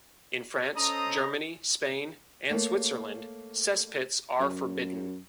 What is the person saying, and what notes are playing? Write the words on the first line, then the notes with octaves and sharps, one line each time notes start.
In France, Germany, Spain and Switzerland, cesspits are forbidden.
C#4 A4 C5 D#5 A#5 D#6
A3 A#3 C#5
F#2